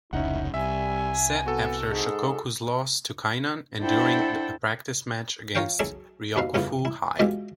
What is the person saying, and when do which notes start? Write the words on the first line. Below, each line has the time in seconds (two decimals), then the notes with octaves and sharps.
Set after Shohoku's loss to Kainan, and during a practice match against Ryokufu High.
0.13 F1 C#2 C#4 D#4 E4 E5 F#5
0.54 C2 G3 E5 G#5
1.46 B3 F#4 A4
1.90 G#2 G#4
3.81 D4 E4 A4 C5 F#5 G5
5.55 F4 A#4 C#5 F5 G5
5.79 B1 F#3 G#4 A4 A5
6.36 D#2 B2 B4 E5 F5
6.54 G2 C#3 E3 B3 F4
6.85 E4
7.19 B2 E3 G#3 F4 G4 E5